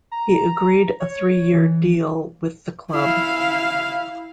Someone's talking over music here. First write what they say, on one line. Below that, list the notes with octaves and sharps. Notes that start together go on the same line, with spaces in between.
He agreed a three-year deal with the club.
A#5
C#5
E3
E4 F5